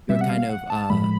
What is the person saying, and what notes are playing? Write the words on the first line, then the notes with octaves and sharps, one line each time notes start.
you're kind of, uh,
B2 G3 C4 E5
F#5
F5
F#5
A5
A2 F3 G#3 B5